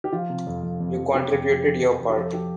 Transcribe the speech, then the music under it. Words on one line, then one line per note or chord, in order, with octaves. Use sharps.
You contributed your part.
G4
F3 F4
C3
F2
F2
F2
F3
C3 G4
F2
F2
F3
F2
F2
G4
F3 A4
F3 G4